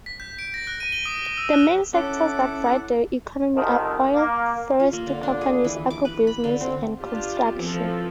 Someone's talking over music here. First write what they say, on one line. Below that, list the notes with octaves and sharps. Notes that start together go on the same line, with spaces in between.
The main sectors that drive the economy are oil, forestry companies, agribusiness, and construction.
B6
G6
D7
A#6
F#6
D#7
G7
D#6
G7
E6
F#6
C#4 E4 A4 F#5 D6
C2 F2 D#3
A#3
F4
A#3
D3
D4
G#4
E3
D6
B4
B5
D3
C4
B3 D4 F4 G4
E3 F3 C4 A4